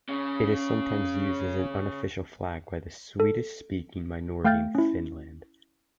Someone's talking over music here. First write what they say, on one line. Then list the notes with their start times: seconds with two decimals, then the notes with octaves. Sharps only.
It is sometimes used as an unofficial flag by the Swedish-speaking minority in Finland.
0.09 C#3 C#4
3.20 A4
4.44 A3 F5 G5 F6 G6 A6
4.75 C#4 E4